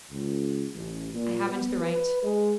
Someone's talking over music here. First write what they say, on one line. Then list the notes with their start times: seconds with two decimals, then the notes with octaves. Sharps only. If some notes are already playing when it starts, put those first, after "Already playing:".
I haven't the right.
0.10 C#2
0.73 A1
1.12 A#2
1.46 B3
1.81 B4
2.22 G#3